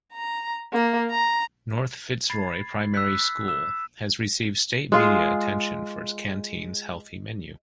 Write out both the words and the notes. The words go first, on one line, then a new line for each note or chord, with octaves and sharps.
North Fitzroy Primary School has received state media attention for its canteen's healthy menu.
A#5
A#3
A#5
B5 G#6 A6 C7
E6 F#6 B6
E6 E7
G#3 F4 G#4